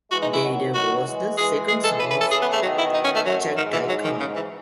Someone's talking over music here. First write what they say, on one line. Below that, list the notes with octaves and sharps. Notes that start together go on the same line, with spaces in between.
Baidar was the second son of Chagatai Khan.
E3 G#3 F#4
D#4
E4
D#3 F#3
D#3 F#3 F#4
E3 G#3
E3 G#3 G#4
G#4
A4
C#3 E3 B4
B4
A4
G#4
B3
A3
B2 D#3 F#3
E4
D#4
C#4
A3
F#2 F#3
G#2 D#3
E3
F#3
D#3
C#3
E3